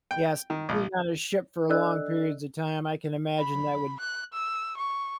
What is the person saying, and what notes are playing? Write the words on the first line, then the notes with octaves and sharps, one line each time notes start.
yes, being on a ship for long periods of time, I can imagine that would
G5
D#3
A#1
D4 A4 D5 D#5 E6 F#6
B5
F#6
E6
C#6